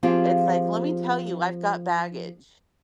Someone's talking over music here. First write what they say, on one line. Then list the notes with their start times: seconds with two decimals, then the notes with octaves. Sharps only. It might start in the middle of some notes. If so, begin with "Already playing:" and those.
it's like, "Let me tell you, I've got baggage,"
0.03 F3 C4 F4 G4 G#4